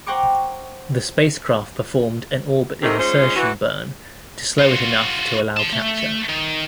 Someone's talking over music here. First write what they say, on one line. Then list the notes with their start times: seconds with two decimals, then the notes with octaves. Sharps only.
The spacecraft performed an orbit insertion burn to slow it enough to allow capture.
0.06 C5 F#5 G5 A#5 C#6 D6
2.82 G#2 C3 A3 A#3 C4 D#4
2.98 G#3 C#4 D#4 F4 C5
3.35 E3 F#4
4.59 F4 F#4
5.57 A5 C6
5.72 A3
6.29 D#3